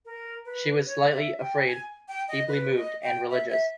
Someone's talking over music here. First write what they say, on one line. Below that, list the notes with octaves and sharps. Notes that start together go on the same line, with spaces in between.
She was slightly afraid — deeply moved and religious.
A#4
B4
C#5
E5
G5
G#5
G5
D#5
B4
D#5
G5
E5
E5